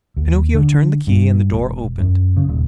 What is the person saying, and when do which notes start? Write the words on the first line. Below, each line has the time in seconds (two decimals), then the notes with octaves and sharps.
Pinocchio turned the key and the door opened.
0.17 D#2
0.54 D3
1.07 G2
1.53 E1
1.98 F#2
2.36 C#3
2.49 D#1